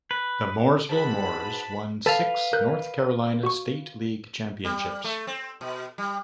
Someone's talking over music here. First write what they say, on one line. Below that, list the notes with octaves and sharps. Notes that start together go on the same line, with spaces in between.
The Mooresville Moors won six North Carolina State League Championships.
B4
G#2 F#4 B4 A5 B5
A4 B4 F5 A5 A6
A#4 F#6 G6
F#4 C#6
G3
A3
C4
B2
G3